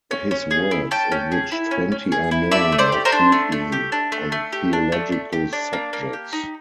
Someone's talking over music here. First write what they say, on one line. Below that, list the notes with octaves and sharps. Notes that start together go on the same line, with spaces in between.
His works, of which twenty are known, are chiefly on theological subjects.
C#4
C#4
G#4
E4
C#4 G5 A5
C#4
G#4
E4
C#4
C#4
G#4
E4
A3 D5 E5
A3
C5 D5
G4
A#4 C5
D4
A3
A3
G4
D4
A3
A3
G4
D4
A3
A3
G4
D4
A#3
A#3
G4
D#4